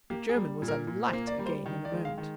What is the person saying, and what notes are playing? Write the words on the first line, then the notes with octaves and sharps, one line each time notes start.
The German was alight again in a moment.
A#3 G4
G#4
G3
A#2
A#4
A#2
C5
A#3
D5
G3
C5
D#3
D5
G#3
F5
D#3